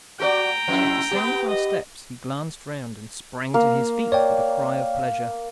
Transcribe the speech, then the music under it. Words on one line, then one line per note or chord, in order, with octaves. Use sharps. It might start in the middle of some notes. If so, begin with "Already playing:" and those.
At the sound of our steps he glanced round and sprang to his feet with a cry of pleasure.
F#4 A4 D5 G5 A#5
F2 E4
B3 G4
D#5
A#3
C#5 D5 G5